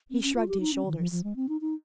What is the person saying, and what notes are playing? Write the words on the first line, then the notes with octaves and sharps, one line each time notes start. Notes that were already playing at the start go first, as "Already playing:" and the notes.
He shrugged his shoulders.
C4
C#4
F4
G4
D#4
C#4
D#3
F3
F3
G#3
C4
D#4
D#4